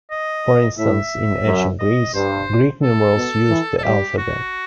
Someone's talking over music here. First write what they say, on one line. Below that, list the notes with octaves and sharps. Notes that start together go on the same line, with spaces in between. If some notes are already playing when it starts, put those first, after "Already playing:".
For instance in Ancient Greece, Greek numerals used the alphabet.
D#5
A2 E5
F#2
D#5
G2 C5
A4
B2
E3
A4
G3 G4
F#4